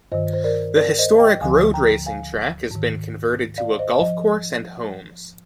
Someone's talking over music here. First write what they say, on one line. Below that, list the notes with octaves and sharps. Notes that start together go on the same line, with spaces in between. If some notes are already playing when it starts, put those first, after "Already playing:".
The historic road racing track has been converted to a golf course and homes.
G2 D#3 C5 D#5
C5
A#4 D5
A#4 D5
C5 D#5
D#5 G5
D2 D3 F3 F5 G#5
G5 A#5
F5 G#5
G#2 D#3
D5 F5
C5 D#5
F3 D#5